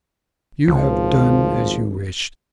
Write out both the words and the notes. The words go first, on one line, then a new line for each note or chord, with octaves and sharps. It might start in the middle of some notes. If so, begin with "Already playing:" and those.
You have done as you wished.
G#1 C#2 F3